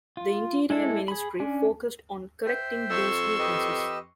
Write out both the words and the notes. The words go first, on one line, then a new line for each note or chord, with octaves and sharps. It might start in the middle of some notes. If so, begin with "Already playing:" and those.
The Interior Ministry focused on correcting these weaknesses.
F4
G#3 E4 A4
G#4 B5
C#4 D4
C5 E5 G5
F2 C6 C#6 E6
G4 B4 D#5